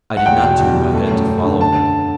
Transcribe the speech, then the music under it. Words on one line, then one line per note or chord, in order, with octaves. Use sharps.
I did not turn my head to follow her.
F#5
E2 G5
B2
E2
G3
A3
F#2
F#2
D3
A5